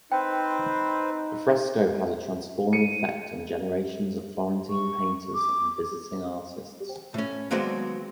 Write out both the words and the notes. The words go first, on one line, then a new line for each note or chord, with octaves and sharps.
The fresco had a transforming effect on generations of Florentine painters and visiting artists.
C4 D#4 B4 C5 G5
C#7 D#7
C#6
D6
A2 C#4
D#2 F#3 G#3 B3 C4 D5